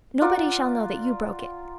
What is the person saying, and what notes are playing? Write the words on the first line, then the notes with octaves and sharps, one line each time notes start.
Nobody shall know that you broke it.
F4 A#4 D5 F#5